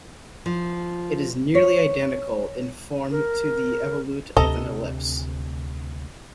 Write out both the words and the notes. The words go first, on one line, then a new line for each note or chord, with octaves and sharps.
It is nearly identical in form to the evolute of an ellipse.
F3
C#5
A#4
D2 C3 A4 D#5 A#5